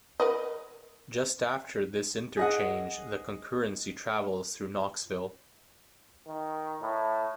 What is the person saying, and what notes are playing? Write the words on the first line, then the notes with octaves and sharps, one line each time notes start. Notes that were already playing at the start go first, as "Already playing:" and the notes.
Just after this interchange, the concurrency travels through Knoxville.
A#4 B4 D#5
G#4 D#5 F#5
D#3
A2